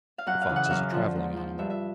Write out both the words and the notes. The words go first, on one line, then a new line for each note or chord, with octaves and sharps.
The fox is a travelling animal.
F5
F#2 F#5
F5
C#3 E3
F#5
F#2 E5 F5
D3 F3
G#2
F3
G2 E5
E5